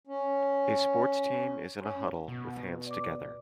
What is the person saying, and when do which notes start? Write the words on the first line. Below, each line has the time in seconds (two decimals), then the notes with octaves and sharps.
A sports team is in a huddle with hands together.
0.07 C#4
1.80 C#4
2.28 B2
2.86 D5 D6